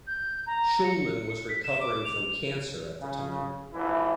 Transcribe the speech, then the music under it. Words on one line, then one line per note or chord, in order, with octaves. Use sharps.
Shulman was recovering from cancer at the time.
G6
A#5
C#7
B6
E7
D6
F7
C#3
G#1 E3 E4